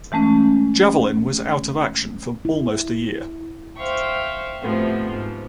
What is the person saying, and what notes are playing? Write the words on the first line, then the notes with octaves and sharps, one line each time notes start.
"Javelin" was out of action for almost a year.
E3 G#3 A3 C#4
E4
C5 E5 F5 G5 C#6
A2 C3 F3 B3
G#2